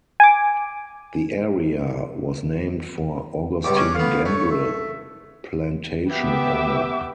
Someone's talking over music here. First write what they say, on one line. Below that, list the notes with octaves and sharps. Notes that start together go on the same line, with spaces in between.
The area was named for Augustine Gambrill, plantation owner.
G#5 D6
C#2 G2 D6
C#4 D4
D3 B3 F5
A3 C#5
E5
B3 G4 E5 G5 D6 E6